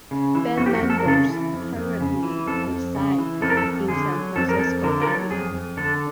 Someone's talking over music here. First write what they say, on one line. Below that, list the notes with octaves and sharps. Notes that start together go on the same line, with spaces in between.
Band members currently reside in San Francisco area.
C#3
E3
F2 F#4
G4
F#4
F2
A4
A#4
C#3 A4
E3
F2
F2
C#3
E3
F2 A4
F2
C#3
E3
F2 A4
A#4
A4
F2
D3 G#4
F#3
F2 A4
A#4
F2 A4
D3 A#4
A#4
F#3 A4
F2 G#4
F2
D3 A4